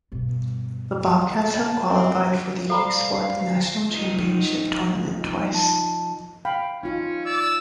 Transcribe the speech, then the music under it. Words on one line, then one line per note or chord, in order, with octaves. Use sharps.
The Bobcats have qualified for the U Sports national championship tournament twice.
G2 B2
A5
C4
A4 C5 D5 F5 A#5 B5
F3 D#4
A5
F5 G5 B5
C#4 D#4 F4
D5 E6